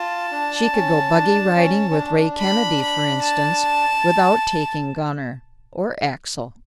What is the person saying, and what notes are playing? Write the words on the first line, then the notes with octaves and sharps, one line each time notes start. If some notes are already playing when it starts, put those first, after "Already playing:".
She could go buggy-riding with Ray Kennedy, for instance, without taking Gunner or Axel.
Already playing: F4 A5
D4
C#4
D4
C#4
C#4
D4
B5
B5
A5